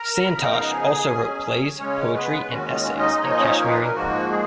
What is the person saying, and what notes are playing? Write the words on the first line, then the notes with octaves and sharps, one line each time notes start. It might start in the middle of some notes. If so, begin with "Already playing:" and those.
Santosh also wrote plays, poetry and essays in Kashmiri.
Already playing: A#4 A#5
B5
C#3 F3 B3 D#4 A#4 A#5
D#5
F5
F#5
G#4 G#5
B2 F#3 C#4
C#3 G#3 C#4 C#5
B3 B4
D#2 D#3 G#3 C#4 F#4
F4
F#4
D#4 D#5
A#2 F3 A#3 D#4 C#5
D#5
C#4 C#5
A#4
B4
A#3 A#4
G#2 F3 A#3 F#4
G#3 G#4